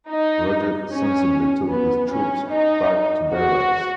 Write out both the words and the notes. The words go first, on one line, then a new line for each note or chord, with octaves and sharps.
Roget sensibly took his troops back to barracks.
D#4
C#4
B3
C#4
D#4
F#4